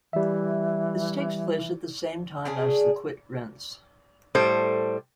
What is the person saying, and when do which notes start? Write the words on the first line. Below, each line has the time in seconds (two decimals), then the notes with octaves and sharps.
This takes place at the same time as the Quit Rents.
0.13 E3 G3 E5
2.45 C#3 D4 G#4
4.35 A2 G3 A4 C5